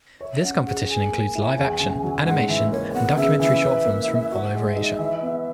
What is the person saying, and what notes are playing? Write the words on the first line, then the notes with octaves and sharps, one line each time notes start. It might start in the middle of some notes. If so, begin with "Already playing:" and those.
This competition includes live action, animation and documentary short films from all over Asia.
C#5 E5
C#4 F#5
G#4 F#5
G#4 G#5
A#3
E4
E2
C#3
F#3
G#2 F#5
E3 E5
A#3 C#5
G#5
B3 F#5
C#3 E5
E3 E5
B4
A#3
E4
F#4 E5
G#3
D#4
E3
B3